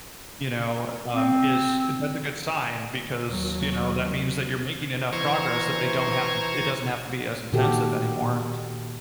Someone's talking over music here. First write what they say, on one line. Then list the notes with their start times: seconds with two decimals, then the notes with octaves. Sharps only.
you know, um, is that's a good sign because, you know, that means that you're making enough progress that they don't have to it doesn't have to be as intensive anymore
1.14 C4
3.30 D#2 F#3
5.13 E3 C5 A#5 C#6 G#6
7.53 A#2 D#3 F#4 G4 A4